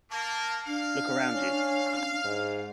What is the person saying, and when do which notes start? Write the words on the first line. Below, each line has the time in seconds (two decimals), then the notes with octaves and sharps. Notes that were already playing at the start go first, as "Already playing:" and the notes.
Look round you.
0.11 A#3 A5
0.67 D4 F5
1.34 C#4
2.25 G#2